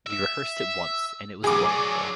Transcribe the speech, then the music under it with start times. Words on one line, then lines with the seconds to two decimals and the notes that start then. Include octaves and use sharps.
We rehearsed it once and it was wonderful.
0.06 E5
1.44 B1 E3 G#4 D6
1.69 F#3 D4